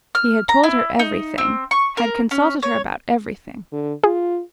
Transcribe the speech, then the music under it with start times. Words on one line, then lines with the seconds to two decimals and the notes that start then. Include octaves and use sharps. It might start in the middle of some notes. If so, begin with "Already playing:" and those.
He had told her everything, had consulted her about everything.
0.15 F6
0.49 A#5
0.63 E4
0.99 D#4
1.38 C4
1.71 C#6
1.97 A#4
2.31 C#4
2.63 C#5
3.73 D3
4.04 F4 G#4